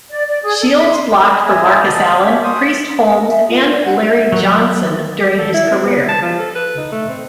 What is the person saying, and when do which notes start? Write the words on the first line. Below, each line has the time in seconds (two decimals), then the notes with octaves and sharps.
Shields blocked for Marcus Allen, Priest Holmes and Larry Johnson during his career.
0.11 D5
0.29 D5
0.43 G#4
0.61 A4
0.75 E5
0.90 C6
1.25 G#4 D#5
1.46 G#3 D#5 E5 G#5
1.65 E4 G4 G#4 C5 E5 G#5
1.85 D#5 A5
2.20 C#4 G4 C#5 E5
2.44 C5 D#6
3.15 A#4
3.28 E5
3.48 F4
3.69 D5
3.85 F#5
4.02 E5
4.32 F#3
5.38 A4
5.54 E4
5.71 C4
5.85 B3
6.08 A5
6.22 F3
6.39 A4
6.55 B4
6.77 D#4
6.92 A3
7.09 C4